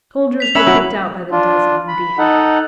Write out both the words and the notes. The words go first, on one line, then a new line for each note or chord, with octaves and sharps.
Soldiers were picked out by the dozen and beheaded.
B6 F7
C#4 E5 B5 F#6 F#7
F#3 E4 F#4
D4 F4
B5
D#4 A4 F#5